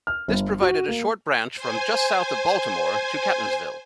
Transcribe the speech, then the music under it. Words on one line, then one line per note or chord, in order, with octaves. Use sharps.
This provided a short branch from just south of Baltimore to Catonsville.
F6
G1
F#4
A#3
C5 G#5